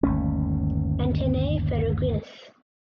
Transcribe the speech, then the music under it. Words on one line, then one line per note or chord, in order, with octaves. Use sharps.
Antennae ferruginous.
G1 D#2 A3 C#4